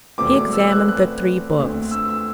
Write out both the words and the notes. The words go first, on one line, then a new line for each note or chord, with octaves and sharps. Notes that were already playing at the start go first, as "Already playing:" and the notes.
He examined the three books.
E2 B2 A3 C4 D6
E6
F#6
F#6
D2 D3 A3 C4
E6
E6